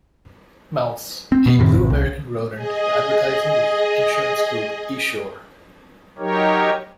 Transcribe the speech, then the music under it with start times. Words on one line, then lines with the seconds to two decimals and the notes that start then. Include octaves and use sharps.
Mouse, a blue American rodent advertising the insurance group esure.
1.32 C4
1.46 B2 B3
1.59 F#2 A2 C3 D#3
1.73 A1 C3
1.90 C2
2.54 G#4 D#5
6.19 F#3 D#4 G4 A#4 C#5